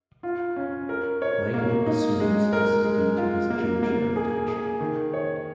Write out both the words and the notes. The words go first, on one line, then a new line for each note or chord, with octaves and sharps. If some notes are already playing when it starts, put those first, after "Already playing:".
Michael assumes this is due to his Jewish heritage.
F4
C#4
A#4
C#5
A#3
D#4
G#3
A#4
G#3
F4
A#3
A#3
G#4
G#4
D#3
C#5